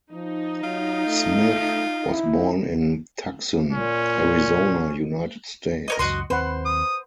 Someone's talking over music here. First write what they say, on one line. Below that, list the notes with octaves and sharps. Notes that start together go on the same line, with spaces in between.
Smith was born in Tucson, Arizona, United States.
F3 D#4
F#3 F4
A3
E4
A#2 C#4
A#4 C#5 D#5
C#2 F#2 F#4 D#5 C6
D#2 C4 B4 C5 F#5
D#6